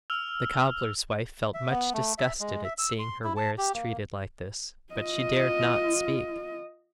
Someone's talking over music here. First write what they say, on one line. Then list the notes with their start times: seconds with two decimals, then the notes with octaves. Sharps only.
The cobbler's wife felt much disgusted at seeing her wares treated like this, but she dared not speak.
0.10 E6 F6 F7
1.54 E5
1.69 B3
1.94 A3
2.18 E5
2.40 G#3
2.64 E5
2.78 E6
2.99 C6
3.24 E4
3.37 A5
3.58 G4
3.74 A#3
4.94 F4 D#5